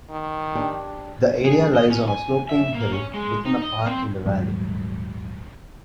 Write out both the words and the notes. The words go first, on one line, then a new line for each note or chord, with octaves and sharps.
The area lies on a sloping hill with a park in the valley.
D#3
D4 G4
G#4
D#5
C#4
G#5
E5
A#3
C#4
G#3
D#4
D#5
C4
D#1 G#2 F#3 G3